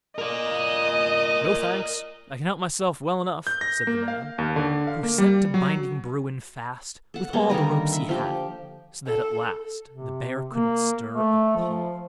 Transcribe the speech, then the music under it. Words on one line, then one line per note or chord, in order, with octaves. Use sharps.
'No, thanks, I can help myself well enough', said the man, who set to binding Bruin fast with all the ropes he had, so that at last the bear couldn't stir a paw.
A#4 D5 D#5
G6
A#6
A#3
F5
D#2
D3
F5
A#3
G3
F#3
A4 F#5
G3 G#3 A#3 B3
D3 D#3 D#4 A#4
E5
F3 G4
A4
C3
A#3
A3
F3